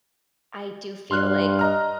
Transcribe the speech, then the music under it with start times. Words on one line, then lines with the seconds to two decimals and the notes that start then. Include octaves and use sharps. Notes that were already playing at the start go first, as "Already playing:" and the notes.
I do feel like,
1.11 G2 C6 F6 F#6
1.59 D#5 A#5 F6